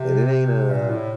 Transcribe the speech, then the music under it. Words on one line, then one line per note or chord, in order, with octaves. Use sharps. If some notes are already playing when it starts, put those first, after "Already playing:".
and it ain't a
Already playing: C3
A#2
A2